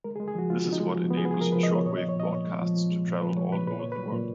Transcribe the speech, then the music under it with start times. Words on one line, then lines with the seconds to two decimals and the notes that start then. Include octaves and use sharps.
This is what enables shortwave broadcasts to travel all over the world.
0.04 G#3 A#4
0.16 G#4
0.20 G#3
0.28 G#4
0.35 F3 F#4
0.50 G#3 F4
0.65 B3
0.73 D#4
0.80 G#3
0.96 F3
1.10 B3
1.17 G#4
1.25 B3
1.31 G#4
1.41 F3 A#4
1.52 B4
1.56 F3
1.63 D#5
1.71 B3 C#5
1.86 A#2 C#5
1.98 D#5
2.01 F3
2.09 C#5
2.16 A#2 D#5
2.32 A#2 C#5
2.47 G#3
2.62 F3
2.77 F3
2.91 G#3
3.07 A#2
3.22 F3 B4
3.37 G#3 C#5
3.52 A#2 B4
3.67 A#2 B4
3.80 A#2 C#5
3.92 B4
3.98 F#3
4.12 A#2